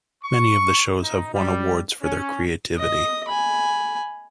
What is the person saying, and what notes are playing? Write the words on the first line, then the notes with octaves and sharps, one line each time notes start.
Many of the shows have won awards for their creativity.
C#6
D#4
G3
C#4
D#5 D#6
G#5 B5